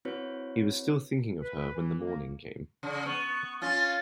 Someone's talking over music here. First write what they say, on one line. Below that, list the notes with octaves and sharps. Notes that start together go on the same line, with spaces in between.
He was still thinking of her when the morning came.
C4 E4 F#4 B4 C#5
B4
E3
A#3
C#3
B3 C#6
C#4 F4 A6